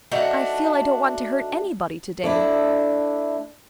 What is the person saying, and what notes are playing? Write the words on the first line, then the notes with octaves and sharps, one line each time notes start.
"I feel I don't want to hurt anybody to-day."
A3 D4 D#4 F#4
A3 D4 E4